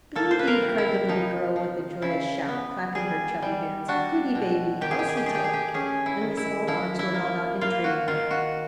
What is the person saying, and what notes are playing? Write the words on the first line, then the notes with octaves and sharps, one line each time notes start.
"Baby!" cried the little girl, with a joyous shout, clapping her chubby hands, "pretty baby Elsie take"; and the small arms were held out entreatingly.
A#3 A4
C5
B4
A#4
C3
E4
F3 D#4
F3
C#3 E4
B3
G3 G#4
G3
D4 F#4
B2
D#3 G4
G#4
G4
G#4
G4
A3 G#4
G4
G#4
G4
C#4 G#4
E4
D#3
E4
F3 E4
E4
A#3
A#3 F4
F#4
D#3 F4
F#4